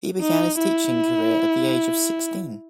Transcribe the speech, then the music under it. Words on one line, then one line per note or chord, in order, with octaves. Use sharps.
He began his teaching career at the age of sixteen.
D#4
E4